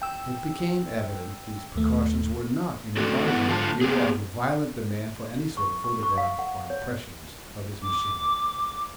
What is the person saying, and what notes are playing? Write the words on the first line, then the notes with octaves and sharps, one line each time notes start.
It became evident these precautions were not inadvisable in view of the violent demand for any sort of photograph or impressions of his machine.
G5 E6
D#2 A3
A3 C4 F#4 A4
G#2 E3 A3 B3 E4 F#5
D3 F4 G#5 A5
A#3 B3 G4 G#4
C#6
C#6
C#6
F5
F#5
C#5
D6